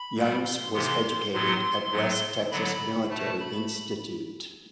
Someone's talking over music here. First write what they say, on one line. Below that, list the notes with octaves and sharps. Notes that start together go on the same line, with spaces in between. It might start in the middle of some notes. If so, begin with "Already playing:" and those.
Youngs was educated at West Texas Military Institute.
Already playing: B5
A2 G3 B3
C6
C3 E3 B3 C6
A2 F#3 B3 C6
A2 F#3 B3
D3 F#3 B3 B5
B2 A3 A5
B5